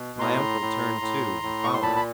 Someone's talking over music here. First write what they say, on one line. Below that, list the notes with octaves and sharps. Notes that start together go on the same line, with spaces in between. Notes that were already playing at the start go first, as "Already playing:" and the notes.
My uncle turned too, and followed it.
Already playing: B2
A2 A#5 C6
A2
A2
A2
C#6
C6
A#2 A5 B5
B5